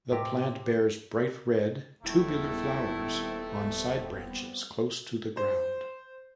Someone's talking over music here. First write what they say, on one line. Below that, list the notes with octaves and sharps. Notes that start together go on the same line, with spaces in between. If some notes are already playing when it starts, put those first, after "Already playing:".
The plant bears bright red, tubular flowers on side branches close to the ground.
A2 C3 G4
D#1 D#3 G3 A3 B3 C4 E4
C5